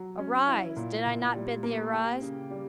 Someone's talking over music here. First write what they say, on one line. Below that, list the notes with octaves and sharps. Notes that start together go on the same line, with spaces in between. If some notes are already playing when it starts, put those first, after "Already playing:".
"Arise! did I not bid thee arise?"
Already playing: F#3
C#4
E4
A#2
A#2
G3
A#3
G4
C#3
G3